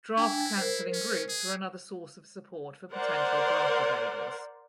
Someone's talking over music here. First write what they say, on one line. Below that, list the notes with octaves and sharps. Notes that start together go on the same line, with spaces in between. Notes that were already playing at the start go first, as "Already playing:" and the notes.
Draft counseling groups were another source of support for potential draft evaders.
D4 E4 G5 G#5
A#4 C5
C#4
G#4
A#4 C5 D5 F#5